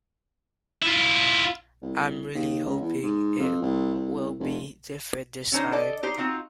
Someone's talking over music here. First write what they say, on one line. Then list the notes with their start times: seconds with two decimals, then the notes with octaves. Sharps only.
I'm really hoping it will be different this time.
0.82 E4 F4
1.82 C2
2.35 D#2
2.65 C#2
2.81 E2
3.02 G#2
3.39 F2
3.62 C2
3.94 C2
4.40 F1
5.52 D3 C#4 D#4 C5
5.72 A4 D5 D#5
6.03 D#4 G4 C5
6.18 C4 D#4 F4 F#4